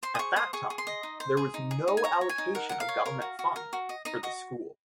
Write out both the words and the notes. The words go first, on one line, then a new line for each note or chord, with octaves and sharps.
At that time there was no allocation of government fund for the school.
C5 C6
D#6
G#4 C#6
C5 D#6
G#4 C#6
G#4
C6
D#5
D#4
C5
G#4
D#4
G#4
D#4
G#5
C#5 A#5
C#5
G#5
D#4
A#4 F#5
A#4 F#5
F5
C#5
A#4
F#4
F#4
A#4
F#4
D#5
D#4 D#5
F#4 D#5